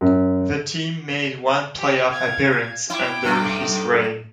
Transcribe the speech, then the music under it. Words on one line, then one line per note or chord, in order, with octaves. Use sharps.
The team made one playoff appearance under his reign.
F#2
G4
F5 G#6
E4 G5 D6
F#2 A3